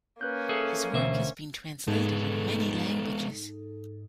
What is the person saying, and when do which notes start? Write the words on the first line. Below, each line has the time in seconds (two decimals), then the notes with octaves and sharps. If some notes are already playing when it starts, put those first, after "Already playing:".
His work has been translated in many languages.
0.21 A#3 C#4 B4 F#6 G6
0.49 G#4 A4 E5
0.93 D2 B2 E3 C5 E5
1.88 G#2 G#3 B3 D#4 A4